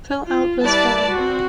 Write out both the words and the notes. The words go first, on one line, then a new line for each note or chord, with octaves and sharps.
Fill out this form.
F4
G3 E4 B4 D5 A5
C4 F#4